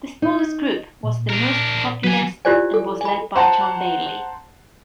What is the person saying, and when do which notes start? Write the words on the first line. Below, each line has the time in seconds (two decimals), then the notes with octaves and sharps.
The smallest group was the most populist and was led by John Bailey.
0.22 D#4
1.04 A#2
1.30 D4 A#4
2.04 F#3 B4 G#5
2.45 E4 F4 G4 C5 D5 G#5
2.74 A4
3.01 G#5 B5
3.36 C5 F#5 A5 A#5